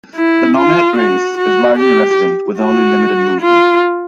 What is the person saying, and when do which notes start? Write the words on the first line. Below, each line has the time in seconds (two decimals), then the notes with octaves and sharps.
The nominate race is largely resident, with only limited movement.
0.16 E4
0.57 F4
0.98 F#4
1.38 F#4
1.79 G4
2.60 F#4
3.41 F4